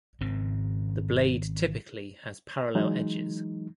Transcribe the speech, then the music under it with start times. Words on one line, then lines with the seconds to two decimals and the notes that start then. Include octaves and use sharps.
The blade typically has parallel edges.
0.21 G#1 G#2 C#3 C4
2.75 E3 F#3 G#3 D#4